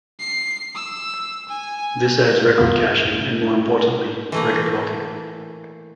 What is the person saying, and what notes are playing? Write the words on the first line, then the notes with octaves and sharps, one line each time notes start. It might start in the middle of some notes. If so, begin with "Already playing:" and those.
This adds record caching and, more importantly, record locking.
C7
E6
G#5
C2 F#2 D#3 B3 F4
E3 A3 A#3